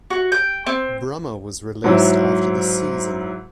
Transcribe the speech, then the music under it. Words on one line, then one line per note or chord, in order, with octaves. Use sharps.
Brummer was released after the season.
F#4
G5
C4
G#2 F#3 E4